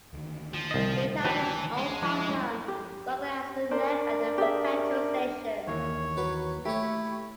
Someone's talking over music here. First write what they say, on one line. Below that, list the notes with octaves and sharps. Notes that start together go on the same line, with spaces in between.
It has its own park known locally as the Rec, and a petrol station.
D2 D#3
F3
C2 D#5
E3 F#3 G4 B4 A5
G#3
F2 F3 E4
G4
D4 A#4 C5 D5
G4 G#4 E5
D#2 E3 A#3 C#5
F#3 B4
A3 E4 G4 C#5